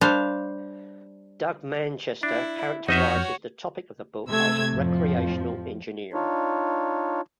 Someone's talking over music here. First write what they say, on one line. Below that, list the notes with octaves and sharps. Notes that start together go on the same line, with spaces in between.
Doug Manchester characterizes the topic of the book as "recreational engineering".
G3 D4 C5 F5
D4 E4
F2 D#4 F#4 C#5 D#5 E5 F6 G6
C3 A3 E6 G#6
F2 A2 F3
D4 D#4 F4 C#5